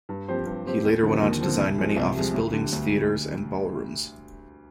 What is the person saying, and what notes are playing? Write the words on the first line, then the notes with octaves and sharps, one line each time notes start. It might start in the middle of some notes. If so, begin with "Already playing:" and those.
He later went on to design many office buildings, theaters, and ballrooms.
G2
F3 C4 G4 C5
G2
F3 C4 G4 C5
D#2
D3 F3 C4
D#2
D3 F3 C4
C2
C3 F3 G#3
C2
C3 F3 G#3
D2
D3 G3
D2